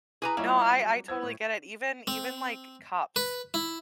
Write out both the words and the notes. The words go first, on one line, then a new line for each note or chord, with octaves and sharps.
No, I I totally get it, even even like cups.
E4 G#4 B4 G#5 A#5 D6
G3 A#3 E4 F4 C#5 D#5
F#3
E4 C5 E6 G#6
A2
C4
B4
E4